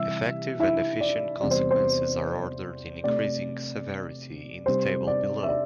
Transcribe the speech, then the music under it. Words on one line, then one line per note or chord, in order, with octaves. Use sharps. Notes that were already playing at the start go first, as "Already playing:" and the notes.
Effective and Efficient consequences are ordered in increasing severity in the table below.
Already playing: C3 E3 G3 E5 E6
E4 E5
D5
E2 C3 G3 D5
C5
C5
C3 A3 D5
C3 G3 C5
D5
E5
D5